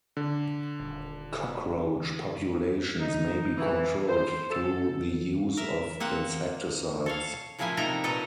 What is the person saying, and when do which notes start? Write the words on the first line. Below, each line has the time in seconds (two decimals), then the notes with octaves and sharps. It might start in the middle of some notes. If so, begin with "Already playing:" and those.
Cockroach populations may be controlled through the use of insecticides.
0.17 D3
0.80 D#1
3.00 D#4
3.57 E3
4.08 C5
4.50 A4
5.57 A#4 E5
6.00 A#3 C4 F#5
7.06 A4 C#5 F5
7.58 A2 C#3 F3 A#3 E4 G#5
7.77 C3 A#3 D#4 A4 G5 A#5
8.04 A#2 F#4 A4 B4 D#5 A#5